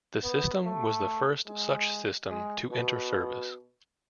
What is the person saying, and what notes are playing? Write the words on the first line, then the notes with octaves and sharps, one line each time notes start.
The system was the first such system to enter service.
B3
A3
G#3
G#3
B2